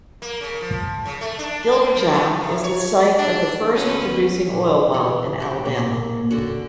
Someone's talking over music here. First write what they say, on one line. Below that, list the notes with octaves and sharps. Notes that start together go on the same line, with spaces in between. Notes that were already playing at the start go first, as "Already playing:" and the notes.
Gilbertown is the site of the first producing oil well in Alabama.
A#3
C#3
F3
C#3
A3
D4
A#3
F3
A3
C3
C#5
D4
D2 B3 C#4
A#2
E2 E3 C#5
F#4 G4
A#2 A#3
D3 C#4 F#4